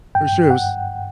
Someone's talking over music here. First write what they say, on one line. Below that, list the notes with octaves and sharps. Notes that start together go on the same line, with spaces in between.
For sure, it was
G2 G5
G2
F#5